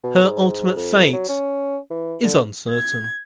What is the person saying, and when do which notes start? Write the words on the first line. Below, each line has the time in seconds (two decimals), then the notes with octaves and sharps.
Her ultimate fate is uncertain.
0.03 B2
0.23 G#2
0.76 F2
1.13 F#3
1.29 C#4
1.90 E3
2.23 D3
2.71 G#6